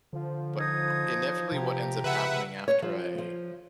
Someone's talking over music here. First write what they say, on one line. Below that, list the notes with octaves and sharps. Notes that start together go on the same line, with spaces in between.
But, uh, inevitably, what ends up happening after I
D3 F3
D#4 D#6 G#6
C3 G4 A#5
C#3 B4 E5 F#5
C#5
F3
F3